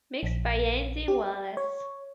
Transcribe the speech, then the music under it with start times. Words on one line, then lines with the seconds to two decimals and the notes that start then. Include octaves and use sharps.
Mixed by Andy Wallace.
0.23 A#1
1.08 G4
1.57 C#5